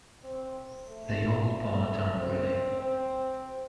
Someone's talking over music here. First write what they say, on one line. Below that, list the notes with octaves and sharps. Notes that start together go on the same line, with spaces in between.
They all part angrily.
C4
A3
C4
C4